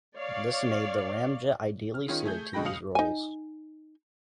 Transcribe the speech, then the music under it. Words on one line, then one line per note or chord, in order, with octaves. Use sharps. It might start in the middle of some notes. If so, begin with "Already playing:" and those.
This made the ramjet ideally suited to these roles.
C#5 D5 F5
F6
D#3 C#4 F4 G#4
A3 G#4 G6
B2 D3 G#3 G5 B5 A#6
C#2 F5 D#6 C#7 F7 F#7
D#4 G#5